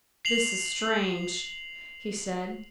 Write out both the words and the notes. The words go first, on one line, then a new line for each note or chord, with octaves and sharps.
"This is strange!" he said.
C7 F7 F#7